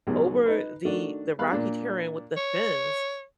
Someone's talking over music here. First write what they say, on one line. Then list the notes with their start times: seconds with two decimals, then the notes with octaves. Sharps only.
over the the rocky terrain with the fins,
0.07 C#2 B2 D#3 F#3 C#4 G4
0.46 D#4 B4
0.85 D#3 A3 D4 F#4
1.38 E2 G3 F5 B5 F#6
1.51 A#2 D4
2.37 C#5